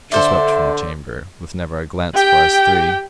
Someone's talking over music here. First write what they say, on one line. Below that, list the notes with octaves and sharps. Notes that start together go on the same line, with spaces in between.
She swept from the chamber--with never a glance for us three.
D3 A4 C5 D5 E5
G4 G5